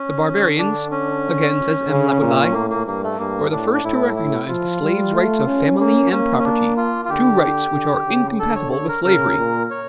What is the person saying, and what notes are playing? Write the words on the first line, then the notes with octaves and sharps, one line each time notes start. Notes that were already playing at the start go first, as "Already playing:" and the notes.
"The Barbarians," again says M. Laboulaye, "were the first to recognize the slave's rights of family and property,--two rights which are incompatible with slavery."
Already playing: C#4
D3
D4
C#4
C#3
A#2
C#4
A2 A#3
A#3
G2 A#3
A3
G2 A#3
A2 D4
D4
A2 E4
E4
F3 F4
G3
A3
C#4
A#3 C#4
A#3 C#4
C#4
D4
F4
F4
D3 G4
D3
C#3
D3 A4
C#5
C#5
A#4
C#3 A#4
A#2
C#5